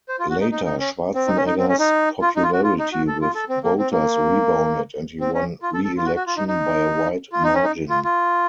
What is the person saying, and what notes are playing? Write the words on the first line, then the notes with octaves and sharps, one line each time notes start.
Later, Schwarzenegger's popularity with voters rebounded and he won reelection by a wide margin.
C5
F4
F#4
D#4
D#4
D#4
C#4
C4
D#4
C#4
D#4
C4
C#4
D#4
F4
D#4
F4
F#4
F4
D#4
F#4
A4
F4
A4
C4
A#3
C4
A#3
C4
C#4
F4
A4
A4
F4
F#4
F#4
F4
D#4
D#4
F4
D#4
C#4
D#4
F4
F4